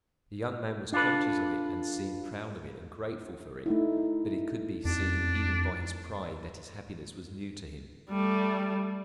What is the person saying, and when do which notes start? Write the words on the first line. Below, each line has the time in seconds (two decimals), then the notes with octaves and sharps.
The young man was conscious of it and seemed proud of it and grateful for it; but it could be seen even by his pride that his happiness was new to him.
0.93 D4 F4 A4 B4
3.66 A3 D#4 E4
4.85 F2 D4
8.09 G3 A3